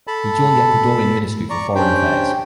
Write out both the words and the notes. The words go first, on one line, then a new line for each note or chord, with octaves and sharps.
He joined the Ecuadorian Ministry for Foreign Affairs.
A4 A5 B5
D5 A#5 C#6
C#4 D4 G4 C5 G5